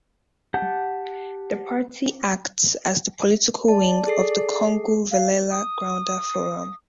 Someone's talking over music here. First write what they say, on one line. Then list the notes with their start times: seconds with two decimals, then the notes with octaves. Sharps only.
The party acts as the political wing of the Kongu Vellala Gounder Forum.
0.54 G4 F#5 A5 G6
3.68 D5 A5
4.07 G#4 A4 C7
5.12 F5
5.51 D#6